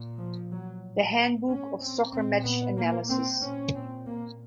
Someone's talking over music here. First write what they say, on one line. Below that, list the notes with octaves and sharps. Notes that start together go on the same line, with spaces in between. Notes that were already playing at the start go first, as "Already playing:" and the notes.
The Handbook of Soccer Match Analysis.
Already playing: A#2
F3
F#3
A2
C#4
C4
A#2 C4
B3
A#3
C4
A#2 C#4
C4
A#3